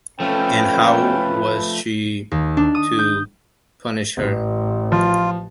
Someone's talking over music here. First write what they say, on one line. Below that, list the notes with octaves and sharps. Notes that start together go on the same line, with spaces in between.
And how was she to punish her?
F3 A3 C#4 A4 B4 G5
D#2
D4
D#6
G6
A1
F3 F4